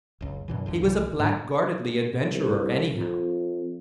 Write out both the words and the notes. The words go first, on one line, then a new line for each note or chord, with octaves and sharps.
He was a blackguardly adventurer, anyhow.
F#1 C#2
F#2 B2 E3
F#1 D2 D3
C2 C3 E3
G#2 D4
C2
F2